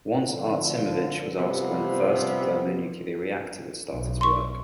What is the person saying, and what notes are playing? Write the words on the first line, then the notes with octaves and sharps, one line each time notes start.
Once Artsimovich was asked when the first thermonuclear reactor would start its work.
D3 F3
C3 F3 G3 B3
B1
C6 C#6